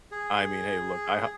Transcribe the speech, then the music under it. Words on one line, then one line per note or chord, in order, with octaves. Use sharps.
I mean, hey look, I ho
G#4